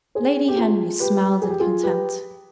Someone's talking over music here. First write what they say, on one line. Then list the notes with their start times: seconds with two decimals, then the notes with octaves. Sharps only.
Lady Henry smiled in contempt.
0.15 G#4 C5
0.48 G4
0.57 F4 G#4
1.00 G4 B4
1.42 G#4
1.50 G4
1.60 F4 G#4
1.83 G4 B4